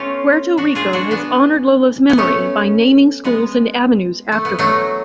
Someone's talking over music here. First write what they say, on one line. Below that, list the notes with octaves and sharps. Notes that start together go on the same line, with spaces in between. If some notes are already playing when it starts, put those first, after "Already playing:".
Puerto Rico has honored Lola's memory by naming schools and avenues after her.
Already playing: A3 B3 C#4 F4
D4 F#4
F4 G#4
D4 F#4
B3 D4
B3
A3 C#4
G#3 B3
A3
B3
F#3 A3